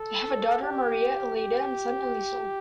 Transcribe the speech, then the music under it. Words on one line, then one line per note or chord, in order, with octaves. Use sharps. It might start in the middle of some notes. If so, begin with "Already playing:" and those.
They have a daughter, Maria Eladia, and a son, Eliseo.
Already playing: A4
G4
G4